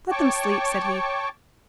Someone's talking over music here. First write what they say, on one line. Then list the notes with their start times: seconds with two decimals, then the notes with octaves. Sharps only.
"Let them sleep," said he.
0.11 C#5 G5 A5 C#6 D6